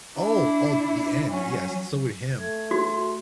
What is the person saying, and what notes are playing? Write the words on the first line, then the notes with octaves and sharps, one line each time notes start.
Oh, oh, the end, yes. So with him,
D4 E4
F#3 C#4
A3 G#6
F#4 C6